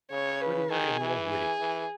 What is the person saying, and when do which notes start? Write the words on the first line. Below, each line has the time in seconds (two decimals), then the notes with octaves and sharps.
'Wittier and more witty.
0.11 C#3 C#5
0.41 B4
0.71 D#3 G#4
1.00 E3
1.30 G#4
1.60 E3